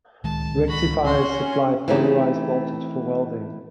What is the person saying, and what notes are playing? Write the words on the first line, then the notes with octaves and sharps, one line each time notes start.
Rectifiers supply polarised voltage for welding.
D1 C#2 D#3 G#3 A5
F#4 B5
C#4 F#4 C6
E3 A3 C4 C#4 D#4 G4